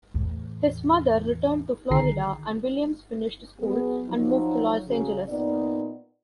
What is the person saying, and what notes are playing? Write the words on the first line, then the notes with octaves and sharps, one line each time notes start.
His mother returned to Florida, and Williams finished school and moved to Los Angeles.
E2 A2
A#1 D3 D#3 G#4 A#5 C7
F#3 B3 G#4
F3 F#3 D#4
C#3 F#3
A#2 B3 D#4 D5